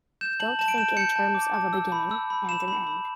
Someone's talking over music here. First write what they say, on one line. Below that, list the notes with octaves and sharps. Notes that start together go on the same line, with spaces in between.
Don't think in terms of a beginning and an end.
G6 E7
A5 F#7
A5 E7
D7
G6 E7
G6 C#7
A5
D6
A5
E6
B5
E6
B5
B5 E7
B5
B5